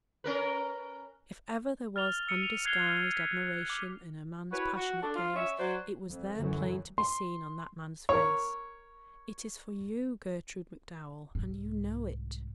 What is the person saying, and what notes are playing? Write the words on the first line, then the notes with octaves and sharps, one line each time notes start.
If ever there was undisguised admiration in a man's passionate gaze it was there plain to be seen on that man's face. It is for you, Gertrude MacDowell, and you know it.
C#4 A#4 B4
F6 A6 F7 G7
E6 C#7 D#7
F7
F#6 G#6 C7 F7 G7
G#6 B6
D6
E4 F#4 B4 C#5
F#4
D4 A4
F4
C#4 C#5 E5
F#3 F#4 C5 D5
F2
F#2 D3 E3 F#3
C6
A#4 C#5
C2 G#2